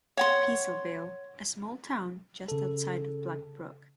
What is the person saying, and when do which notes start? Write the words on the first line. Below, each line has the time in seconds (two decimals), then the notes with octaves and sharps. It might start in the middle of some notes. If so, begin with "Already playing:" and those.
Peasleville: A small town just outside of Black Brook.
0.17 C#5 F#5 C6
2.48 C#3 A4